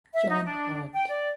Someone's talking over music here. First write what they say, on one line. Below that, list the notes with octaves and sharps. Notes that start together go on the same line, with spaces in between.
John Hand.
E5
D#4
D4
G5
D5